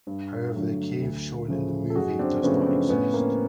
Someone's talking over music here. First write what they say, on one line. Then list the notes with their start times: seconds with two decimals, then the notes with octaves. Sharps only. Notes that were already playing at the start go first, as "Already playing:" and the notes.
However, the cave shown in the movie does not exist.
0.07 G2
0.54 D3 F#3 A3
1.02 D2
1.48 C#3 F3 A3
1.90 A4
1.95 F#2 F#4 G#4
2.19 C4 D4
2.43 C#3 F3 A3 B3 C#4
2.66 C4 D4
2.89 A2 B3 C#4
3.14 A#3 C4